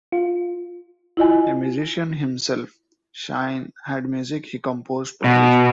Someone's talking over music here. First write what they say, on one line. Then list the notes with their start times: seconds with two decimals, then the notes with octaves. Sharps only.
A musician himself, Schine had music he composed published.
0.12 F4
1.17 E4 F4 D#5 G#5
5.24 B2